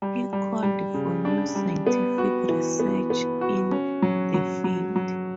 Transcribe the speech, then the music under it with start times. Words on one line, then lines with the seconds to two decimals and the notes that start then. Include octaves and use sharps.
He called for new scientific research in the field.
0.02 G3
0.33 G3
0.63 G3
0.94 C#3
1.25 D4
1.55 G3
1.87 B3
2.18 F#4
2.49 E3
2.80 B3
3.10 B3
3.41 F#4
3.71 C#4
4.02 F#3
4.34 F#3
4.64 F#3
4.96 F#3